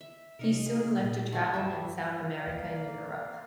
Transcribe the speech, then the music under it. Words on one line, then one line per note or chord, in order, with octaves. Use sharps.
He soon left to travel in South America and Europe.
E5
C3 C#4 D#4 A#4
G#4
A#2
A3 F#4 G#5
G2 G3 E5
A#3 D5 F5